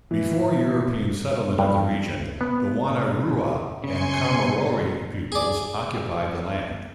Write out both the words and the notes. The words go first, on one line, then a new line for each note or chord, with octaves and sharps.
Before European settlement of the region the Wonnarua and Kamilaroi peoples occupied the land.
E3
G2
B3
C#3 G#5 C6 C#7
G#4 D5